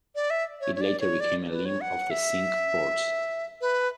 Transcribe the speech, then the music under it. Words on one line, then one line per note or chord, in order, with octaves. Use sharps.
It later became a limb of the Cinque Ports.
D5
E5
C#5
C#5
D5
C#5
D5
B4
C#5
F#5
E5
B4